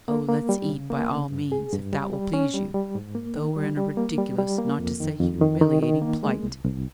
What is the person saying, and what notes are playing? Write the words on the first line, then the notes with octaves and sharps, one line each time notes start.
"Oh, let's eat, by all means, if that will please you, though we're in a ridiculous, not to say humiliating, plight."
A#3
A#3
G3
C#3
A#3
C#3
G2
G#4
G2
G3
G3
C#4
G3
G3
G#2
A#3
D#3
G3
G3
A#3
G3
G3
A#3
F2
D#3
F2
D#3
D#3
D#3
A#3
G#3
C2
C2